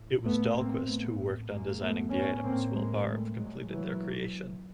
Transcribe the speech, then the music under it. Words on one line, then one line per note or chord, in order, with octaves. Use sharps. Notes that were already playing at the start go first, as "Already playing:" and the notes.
It was Dahlquist who worked on designing the items while Barve completed their creation.
Already playing: A2
A3 B3
A#3 C4
A2 A3 B3
G#3 A#3
A3 B3
A2 B3 C#4
A#3 C4
G#3 A#3
G3 A3
A#2 F#3 G#3
E3 F#3